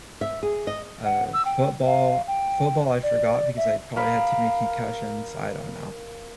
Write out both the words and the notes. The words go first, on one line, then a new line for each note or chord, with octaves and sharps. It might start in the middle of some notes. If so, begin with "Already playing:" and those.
uh, football. Football, I forgot because I probably had too many concussions, I don't know,
E5
G#4
D#5
F#5
E6
G5
F5
G5
D5
E5
A#4 F5 B5